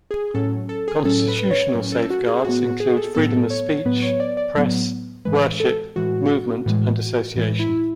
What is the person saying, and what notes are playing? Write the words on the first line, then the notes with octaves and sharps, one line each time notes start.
Constitutional safeguards include freedom of speech, press, worship, movement, and association.
G#4
A2 F#3 C#4 A4
A4
G#4
A2 F#3 C#4 A4
B4
C#5
A2 F#3 C#4
A4
F#4
G#4
A2 F#3 B3 F#4
F#4
G#4
A4
A2 F#3 B3 A4
C#5
A2 F#3 B3 B4
C#5
D5
D5
A2 F#3 B3
A2 E3 G#3 B4
A4
A2 E3 G#3 F#4
A2 E3 G#3
A2 E3 G#3
E4